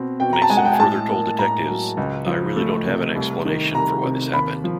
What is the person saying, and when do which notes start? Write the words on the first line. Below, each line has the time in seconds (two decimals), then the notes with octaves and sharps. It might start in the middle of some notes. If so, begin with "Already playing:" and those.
Mason further told detectives, I really don't have an explanation for why this happened.
Already playing: B2 C4
0.20 B2 G5
0.33 A#5
0.42 A5
0.50 G#3 G#5
0.57 F#5
0.65 G5
0.72 G#5
0.80 A2 A5
1.09 A#3
1.39 A2 A#5
1.68 F#3
1.97 C#2
2.27 F3
2.56 A3
2.86 C3
3.16 C2
3.45 D#3
3.74 C2 A#5
4.04 C3
4.33 D#2 B5
4.64 F3